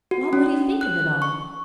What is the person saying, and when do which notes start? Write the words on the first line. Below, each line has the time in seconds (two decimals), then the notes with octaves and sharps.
What would he think of it all!
0.11 F#4
0.33 C#4
0.81 F#6
1.22 C#6